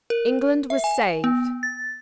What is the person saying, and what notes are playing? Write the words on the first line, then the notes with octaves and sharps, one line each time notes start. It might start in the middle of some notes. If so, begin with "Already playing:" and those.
England was saved.
A#4
E5
G#5
B3
A6